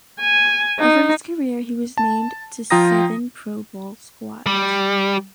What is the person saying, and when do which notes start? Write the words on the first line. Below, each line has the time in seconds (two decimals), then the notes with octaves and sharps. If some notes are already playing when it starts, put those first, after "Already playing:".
Over his career he was named to seven Pro Bowl squads.
0.21 G#5
0.80 D#4
1.98 A5
2.70 F3 F4 G5 A#5 D#6 A#6
4.47 G3